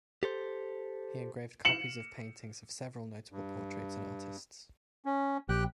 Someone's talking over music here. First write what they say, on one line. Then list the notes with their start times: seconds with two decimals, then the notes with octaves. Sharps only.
He engraved copies of paintings of several notable portraits and artists.
0.23 G4 A4 C5
1.65 C#7 E7 F#7
3.32 G2
5.05 C#4
5.49 A#1 G4 G5 F#6